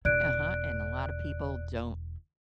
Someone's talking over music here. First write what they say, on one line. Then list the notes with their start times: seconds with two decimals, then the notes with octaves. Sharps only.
Uh-huh, and a lotta people don't
0.05 E1 E4 D5 F#6 D7